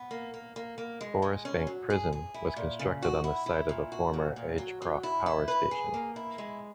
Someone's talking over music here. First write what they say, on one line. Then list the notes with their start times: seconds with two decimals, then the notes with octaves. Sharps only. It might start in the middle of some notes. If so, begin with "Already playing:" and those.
Forest Bank Prison was constructed on the site of the former Agecroft Power Station.
Already playing: B3
0.11 A#3
0.34 A#3
0.56 A#3
0.78 A#3
1.01 G#3
1.22 G#3
1.45 C#4
1.67 F#3
1.90 G#4
2.12 G#4
2.34 E4
2.56 A#2
2.79 C#3
3.02 F#4
3.24 E4
3.46 E4
3.69 A#2
3.92 F#4
4.13 A#2
4.36 A#2
4.58 F#3
4.82 F#3
5.03 E4
5.26 E4
5.48 B4
5.71 G#4
5.94 A#3
6.16 E4
6.38 G#3